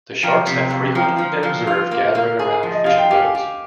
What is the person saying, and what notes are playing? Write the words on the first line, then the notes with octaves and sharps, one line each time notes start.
The sharks have frequently been observed gathering around fishing boats.
F3 G5 A#5
C3
F2
F3 G5 A#5
F3
F3
F4
A#3
A#3
G#4
F3
D#5
F4 F5
G5
G4 F5 G#5
G4